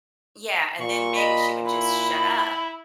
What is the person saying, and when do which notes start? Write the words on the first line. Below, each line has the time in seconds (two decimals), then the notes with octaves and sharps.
Yeah, and then maybe she would just shut up
0.81 A#2 C#6
1.16 D#5 B5
1.66 E4 B5